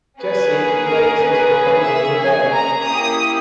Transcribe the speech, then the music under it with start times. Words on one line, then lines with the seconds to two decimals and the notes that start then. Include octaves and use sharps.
Jesse makes his proposal to Belle.
0.20 A#3 C#4 G#4 B4
0.87 A#4
1.20 B4
1.52 B4
1.86 E5
2.18 G#5
2.51 A#5
2.84 A#3 C#4 E4 G4 D#6